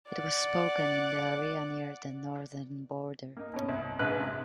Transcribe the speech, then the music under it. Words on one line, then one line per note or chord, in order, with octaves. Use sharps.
It was spoken in the area near the northern border.
D5 F#5
A#3 D#4
B2 C#4
C2
A#1 G#2 B4 F#6
C3